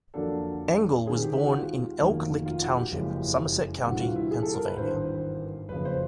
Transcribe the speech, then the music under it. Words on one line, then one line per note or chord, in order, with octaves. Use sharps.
Engle was born in Elk Lick Township, Somerset County, Pennsylvania.
F2 D3 F#3 A#3 D4 A4
D#2 D#3 G#3 C4 D#4 G#4
G4
F#4
F4
F1 D#2 D#3 F#3 A#3
F4
F#4
G4
F#1 F2 C#3 E3 G#3
D2 C3 E3 G3 F#4
F4
E4
G#4
A4
A#4
B4
G#1 G2 E3 C5
F#1 F2 C#3 B4
C5